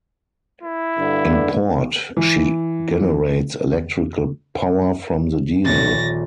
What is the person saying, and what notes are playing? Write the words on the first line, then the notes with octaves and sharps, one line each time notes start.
In port, she generates electrical power from the diesel.
E4
G2 D3
E3
D#1 A#1 C#5 A6 A#6